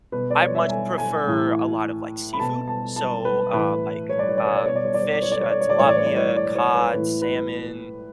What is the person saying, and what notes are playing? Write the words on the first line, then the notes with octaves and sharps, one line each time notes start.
I much prefer a lot of, like, seafood, so, uh, like, um, fish, uh, tilapia, cod, salmon,
B2 B4
D5
C#5
E5
G#5
G#5
A2 E3
B5
B2 A5
A5
A5
B4
A2 E3 B4
C#5
D5
C#5
D5
C#5
D5
B2 C#5
D5
C#5
D5
C#5
D5
C#5
D5
C#5
D5
C#5
D5
A2 E3 C#5
D5
C#5
D5
C#5
D5
C#5
B4
A2 E3 B4
B4